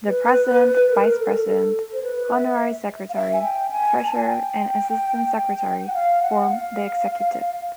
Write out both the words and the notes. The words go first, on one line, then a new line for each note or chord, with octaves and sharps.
The President, Vice-President, Honorary Secretary, Treasurer and Assistant Secretary form the Executive.
B4
A#4
A4
A4
C5
B4
E5
F5
E5
G#5
G5
G#5
G#5
A5
G#5
G5
G5
F#5
F5
F#5
F5